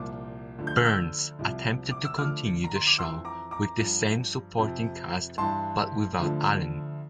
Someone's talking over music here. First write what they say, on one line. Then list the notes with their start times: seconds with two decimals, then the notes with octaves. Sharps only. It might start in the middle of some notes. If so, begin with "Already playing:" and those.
Burns attempted to continue the show with the same supporting cast but without Allen.
Already playing: C2 A#2 F3 D6
0.59 D2 D3 F3
0.67 G6
0.76 F6
0.85 E6 G6
1.39 C2 C3 F3
1.91 D6
2.05 E6
2.18 D2 D3 F3 D6 F6
2.64 A#5
2.76 C6
2.87 D6
2.99 F2 E3 C6 E6
3.25 A#5 D6
3.51 A#5 D6
3.79 G2 F3
4.58 F2 C3 F3
5.38 G2 E3 A5 C6
6.18 D2 D3 F3